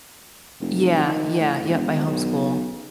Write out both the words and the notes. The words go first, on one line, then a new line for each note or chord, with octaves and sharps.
Yeah, yeah yep, I homeschool.
F1
D#3
A2
E1
B1